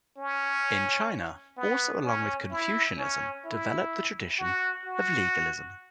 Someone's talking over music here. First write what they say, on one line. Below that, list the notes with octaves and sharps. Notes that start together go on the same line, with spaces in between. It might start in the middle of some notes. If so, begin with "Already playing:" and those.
In China also along with Confucianism developed the tradition of Legalism.
C#4
B3
C#4
E4
C#4
E4
F#4
F#4